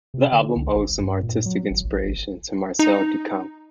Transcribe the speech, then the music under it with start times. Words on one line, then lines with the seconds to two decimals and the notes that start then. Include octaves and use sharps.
The album owes some artistic inspiration to Marcel Duchamp.
0.14 C3
0.32 D3
0.56 C#2
0.75 G#1
1.00 G2
1.23 A#2
1.46 F#3
1.71 G#1
1.85 A#1
2.05 G#1
2.79 D#4